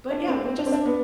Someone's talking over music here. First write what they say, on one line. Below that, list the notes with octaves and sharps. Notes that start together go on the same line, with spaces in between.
but, yeah, we just
D4
C4
C4
D4
C4
D4
B3